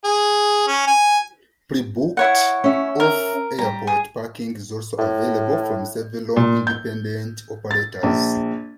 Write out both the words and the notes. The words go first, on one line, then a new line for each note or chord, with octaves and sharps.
Pre-booked off airport parking is also available from several independent operators.
G#4
C#4
G#5
E4 C#5 F#5
C#4 E5
A#4
G3 G4 A#5
G#4
A2
A#2
G6
A6
A#1